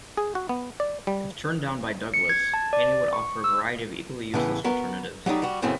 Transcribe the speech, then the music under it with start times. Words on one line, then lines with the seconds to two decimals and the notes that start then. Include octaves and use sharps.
If turned down by Douglas, Haney would offer a variety of equally useless alternatives.
0.17 G#4
0.35 F#4
0.49 B3
0.80 D5
1.07 G3
2.14 C#7
2.29 G#6
2.54 A5
2.73 D5
3.13 C#6
3.44 E6
4.34 A2 C#3 E3 B3
4.64 B3 F#4 A#4
5.26 F#3 G3 A3 D#4 G4
5.42 G3 F#4
5.62 F#2 A2 C#3 B3 C4 E4